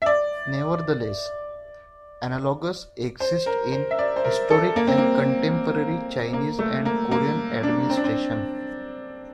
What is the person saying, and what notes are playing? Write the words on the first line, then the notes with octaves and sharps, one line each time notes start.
Nevertheless, analogues exist in historic and contemporary Chinese and Korean administration.
E5
D5
C5
A#4
C5
E5
D5
C5
A#4
A4
A#3
C4
A#3
A#3
A3
A#3
A#3
D4
C4
D4
C4